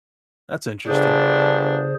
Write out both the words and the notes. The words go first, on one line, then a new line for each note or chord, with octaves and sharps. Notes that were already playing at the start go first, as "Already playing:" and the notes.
That's interesting.
G1 C#3 D4 G#4 C5